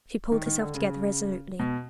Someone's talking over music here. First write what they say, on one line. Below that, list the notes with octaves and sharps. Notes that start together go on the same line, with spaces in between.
She pulled herself together resolutely.
D#3
D#3
D3
C#3
B2